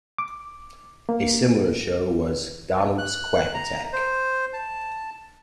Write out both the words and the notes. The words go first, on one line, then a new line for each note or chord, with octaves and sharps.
A similar show was "Donald's Quack Attack".
D6
A#3
F#6
A#5
C5
A5